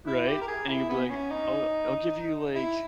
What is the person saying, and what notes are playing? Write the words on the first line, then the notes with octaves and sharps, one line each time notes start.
Right, and you'd be like, "Oh, I'll give you, like,
E4
G4
A#4
G#4
E4
B3
C#4
D#4
E4